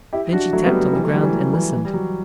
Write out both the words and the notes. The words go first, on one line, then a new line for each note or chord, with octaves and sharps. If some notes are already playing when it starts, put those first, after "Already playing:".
Then she tapped on the ground and listened.
E4 G4
D4 F#4
F#3 A3
G3 B3
F#3
E3 G3
F#3 A3
E3 G3
E3
F#3
E3
E3
G3
F#3